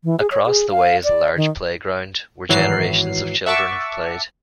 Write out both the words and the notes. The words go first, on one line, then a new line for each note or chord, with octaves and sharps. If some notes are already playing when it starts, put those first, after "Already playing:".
Across the way is a large playground, where generations of children have played.
E3
G#4
C#5
G#4
F5
D5
D#3
G#1 E3 F#3 C7
E5 F#5 A5 C#6 D6 E6